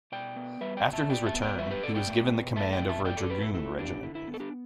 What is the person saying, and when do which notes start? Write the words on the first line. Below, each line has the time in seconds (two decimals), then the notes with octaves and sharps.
After his return, he was given the command over a dragoon regiment.
0.12 B2 D5 G5
0.36 B3
0.61 G3 B4 E5
0.77 D5 G5
0.86 B2
0.93 E5 A5
1.09 B2 D5 G5
1.26 E5 A5
1.34 B3
1.42 D5 G5
1.59 G3 B4 E5
1.70 G4 B4
1.83 B2 A4 D5
1.95 D5 G5
2.07 A3
2.32 B2
2.56 A3 E5 A5
2.72 D5 G5
2.81 B2
2.89 E5 A5
3.05 A3 D5 G5
3.17 A4 D5
3.29 B2 G4 B4
3.41 E4 A4
3.54 A3 E4 A4
3.79 B2 D4 G4
4.03 D3 E4
4.15 E4
4.28 B3
4.34 A4
4.40 D4 G4